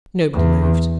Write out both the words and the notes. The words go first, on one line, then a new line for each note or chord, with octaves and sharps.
Nobody moved.
E2